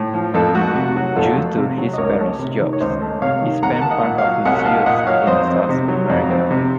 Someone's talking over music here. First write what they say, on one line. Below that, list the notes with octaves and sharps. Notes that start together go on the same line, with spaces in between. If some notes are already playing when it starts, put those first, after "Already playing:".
Due to his parents' jobs he spent part of his youth in South America.
Already playing: A2
F3
F2 F4 A4
A3 F#4
C3 F#4
F#3 F#4
F2 F4 A4
A3
C3
F#3
D#5
C#2 A#4 C#5
A3
C3
D#3
C#5
C#2 C5 D#5
A3
C3 C#5 F5
D#3
C2 F#5 A#5
A#3 A5
D#5 F#5
A#2
C#5 F5
F#3
C2 D#5 F#5
A#3 F5 A5
A#2 D#5 F#5
F#3 C#5 F5
F2 C5 D#5
C4
C3
F#3
F2
C4
C3